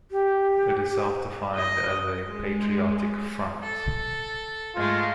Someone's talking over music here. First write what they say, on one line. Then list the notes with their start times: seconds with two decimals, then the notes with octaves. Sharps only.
It is self-defined as a "patriotic front".
0.11 G4
1.56 D#5
2.28 G#3
3.62 A4
4.76 G#2 G#3 A3 F4